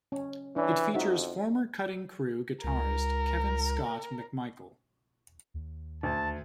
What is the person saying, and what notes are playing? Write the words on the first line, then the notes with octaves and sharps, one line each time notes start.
It features former Cutting Crew guitarist Kevin Scott MacMichael.
C#4
E3 D4 C#5
F2 D#4 F#4 E5
C#2 A#4
D#2
D2 A5